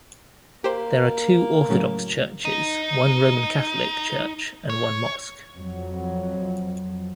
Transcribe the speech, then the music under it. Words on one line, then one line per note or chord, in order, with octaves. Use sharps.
There are two Orthodox churches, one Roman Catholic church and one mosque.
A#3 G4 C5
A2 C#3 F#3
D#4
C#5
F2 F#3